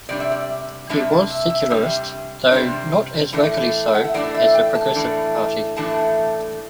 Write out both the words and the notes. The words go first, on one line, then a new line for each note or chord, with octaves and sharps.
It was secularist, though not as vocally so as the Progressive Party.
C3 G3 D4 D5
E5
D5
C3 G3 D4 E5
E5
E5
C3 G3 D4
C3 G3 D4 C5
A2 E3 A3 D4
F#5
E5
A2 E3 A3 D4 D5
E5
G5
A5
A2 E3 A3 D4
A2 E3 A3 D4 A5